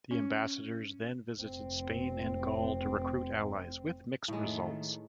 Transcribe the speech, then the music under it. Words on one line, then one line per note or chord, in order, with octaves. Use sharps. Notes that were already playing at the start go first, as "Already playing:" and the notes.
The ambassadors then visited Spain and Gaul to recruit allies, with mixed results.
C#4
F1 C4
A2 D#3 G#3 A3